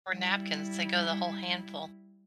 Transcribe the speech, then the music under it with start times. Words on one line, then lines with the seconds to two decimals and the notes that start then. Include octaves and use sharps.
Or napkins, they go the whole handful.
0.11 G3 E4